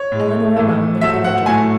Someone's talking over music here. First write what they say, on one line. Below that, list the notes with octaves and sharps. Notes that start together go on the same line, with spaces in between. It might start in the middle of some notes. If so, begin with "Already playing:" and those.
Eleanor alone looked belligerent.
Already playing: C#5
A2 G#3
A2 E3 A3
G#2 F#3 A3 E5
F#5
A2 F#3 A3 G#5